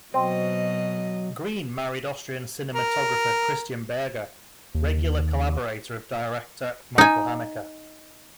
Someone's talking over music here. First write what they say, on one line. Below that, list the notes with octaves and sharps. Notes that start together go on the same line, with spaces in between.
Green married Austrian cinematographer Christian Berger, regular collaborator of director Michael Haneke.
B2 F#3 C4 D#5
A#4
D#2
D#4 G#5